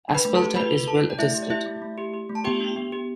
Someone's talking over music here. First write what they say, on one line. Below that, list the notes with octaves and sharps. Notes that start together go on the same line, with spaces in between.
Aspelta is well attested.
D4
B4 B5
A3
A4 A5
G4
D4 B4 B5
A4
A4 A5
D4
D5
A3 E4 E5
G4
D5
E4 G4 E5
A3
A3
G4
G4
A3
A5
B3 G4 G5
D4
B3
G4